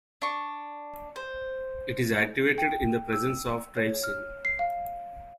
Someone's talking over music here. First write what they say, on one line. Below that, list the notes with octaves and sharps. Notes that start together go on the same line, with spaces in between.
It is activated in the presence of trypsin.
D4 C#6
C5
G5
E6
C#5
F6
C7
F5